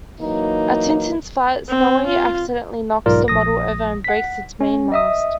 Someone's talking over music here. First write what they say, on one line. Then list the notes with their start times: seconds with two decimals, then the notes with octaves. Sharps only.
At Tintin's flat, Snowy accidentally knocks the model over and breaks its mainmast.
0.21 E3 F#3 A#3 D#4
1.68 C4
2.06 F4
3.06 B1 G#2 F4 A#4 D5
3.28 A#1 D#6 A#6
4.04 F#5 B6
4.61 C#4
4.92 D#5 E5 D#6